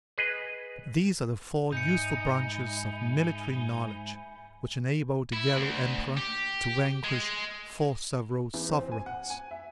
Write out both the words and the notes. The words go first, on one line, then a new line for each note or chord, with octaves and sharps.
These are the four useful branches of military knowledge which enabled the Yellow Emperor to vanquish four several sovereigns.
G#4 B4 D#5
G#2 D#4 E5 G#5 B5 G6 C#7
E4
D2
G4
G#3
E2
C4
G#5
F#5
G#5
E5